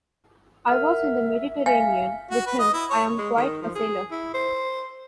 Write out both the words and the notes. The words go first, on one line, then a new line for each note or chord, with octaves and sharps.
I was in the Mediterranean with him; I am quite a sailor.
A#4 E5 F#5 F6
F5 G#5
F#4
B4
D#5
E4
C#5
G#3
D#3
F3
G#4
E4
C5